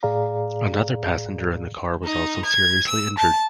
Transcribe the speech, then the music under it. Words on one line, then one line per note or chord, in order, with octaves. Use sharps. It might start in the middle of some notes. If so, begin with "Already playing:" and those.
Another passenger in the car was also seriously injured.
A2 G#4 D5 F5 A#5
D#4
G#6
E6
A5